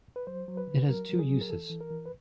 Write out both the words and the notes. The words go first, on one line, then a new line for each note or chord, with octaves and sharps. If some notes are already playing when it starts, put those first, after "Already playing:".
It has two uses.
B4
F#3 C5
F#3
B4
D3
F#3 A#4
F#3
G#4
F#3
A#4
E3 A4
E3
A#4
E3
B4